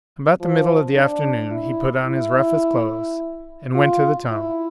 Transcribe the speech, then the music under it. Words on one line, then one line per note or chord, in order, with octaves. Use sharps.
About the middle of the afternoon he put on his roughest clothes and went to the tunnel.
F3
D4
E4
E4
F4
E4